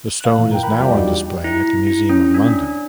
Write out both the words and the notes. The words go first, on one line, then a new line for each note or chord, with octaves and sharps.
The stone is now on display at the Museum of London.
F5 F#6
A#2 E3
A#4 G5
A#4 G5 A#5 B5 F#6
E2 G3 F4 D5 G5
G3 D4 D#4 F#4 G4 D5
E4
E4
C#4
D4